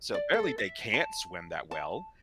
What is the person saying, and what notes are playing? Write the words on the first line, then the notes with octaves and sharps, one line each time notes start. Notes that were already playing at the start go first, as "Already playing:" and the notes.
So apparently, they can't swim that well,
D5
A4
E5
A5
A5